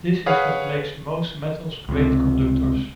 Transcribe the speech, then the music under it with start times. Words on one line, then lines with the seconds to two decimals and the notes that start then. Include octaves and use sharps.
This is what makes most metals great conductors.
0.26 G#4 B4 C#5 F5 F#5
1.89 C#2 C3